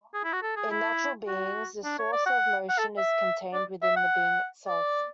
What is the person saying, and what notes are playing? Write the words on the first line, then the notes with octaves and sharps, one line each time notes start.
In natural beings, this source of motion is contained within the being itself.
G#4
E4
F#4
A4
G#4
E4
F#4
D4
C#5
D5
F#5
F#5
A4
E5
D5
E5
F#5
D5